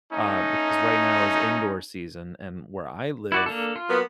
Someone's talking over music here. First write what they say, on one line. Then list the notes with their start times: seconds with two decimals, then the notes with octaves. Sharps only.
uh, because right now is indoor season and where I live,
0.12 A3 C#4 D#4
3.32 E4 F#4 D5
3.46 A#3 D4 A4
3.76 F4
3.90 F#3 A#3 B3